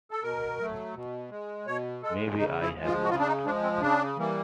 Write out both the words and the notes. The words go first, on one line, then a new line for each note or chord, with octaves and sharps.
May be, I have not.
A4
B2 A#4
F#3 A3
B2
G#3
B2 C#5
G#3 A4
C#3 D#4
E4
F3 G#3
F4
F#4
C#3 F4
D4
D#4
F3 G#3 D4
C4
C#3 D4
E3 G3 A#3